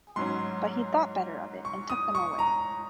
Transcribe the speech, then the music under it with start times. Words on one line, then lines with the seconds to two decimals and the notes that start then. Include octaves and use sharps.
But he thought better of it, and took them away.
0.16 G#2 F#3 C#4 C6
1.65 C#6
1.90 D#6
2.15 C#6
2.39 A#5